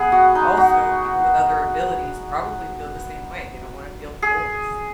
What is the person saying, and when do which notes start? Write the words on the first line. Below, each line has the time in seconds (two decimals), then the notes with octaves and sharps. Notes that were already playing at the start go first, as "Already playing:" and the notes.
also, people with other abilities probably feel the same way, they don't wanna feel forced.
Already playing: B3 G#4
0.12 F#4
0.35 D#4
0.57 F#4
4.22 G#4